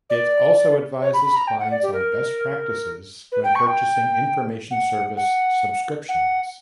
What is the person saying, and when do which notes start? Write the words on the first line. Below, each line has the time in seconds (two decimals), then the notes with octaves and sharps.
It also advises clients on best practices when purchasing information service subscriptions.
0.10 D5
1.01 C#5
1.13 B5
1.24 B5
1.36 A#5
1.47 G5
1.59 F#5
1.71 D5
1.82 G4
1.93 A#4
3.32 B4
3.43 G5
3.55 C#6
3.66 G5
4.71 F#5
5.17 F#5
6.08 F#5